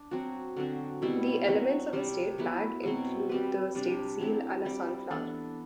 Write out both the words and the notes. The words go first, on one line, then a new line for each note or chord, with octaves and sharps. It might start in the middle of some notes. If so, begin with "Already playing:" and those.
The elements of the state flag include the state seal and a sunflower.
Already playing: D4
F#3 C4 F#4
D3 F#3 C4 F#4
B2 G3 C4 E4
F#3 C4 F#4
C3 G3 C4
F#3 B3 E4 B4
B2 F#3 C4
G3 C4 G4 B4
C3 G3 D4
F#3 C4 E4
G3 C4 E4
E3 B3 D4 A4